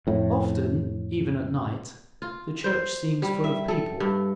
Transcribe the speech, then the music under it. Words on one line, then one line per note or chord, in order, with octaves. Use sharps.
Often, even at night, the church seems full of people.
F2 A2
F4
C5
G3
E5
A4
G2